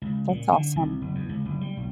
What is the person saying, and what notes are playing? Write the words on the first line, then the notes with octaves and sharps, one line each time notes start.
That's awesome.
C#2
A#2
D3
C2
F#1
E2
C#2
F#1
G3
B1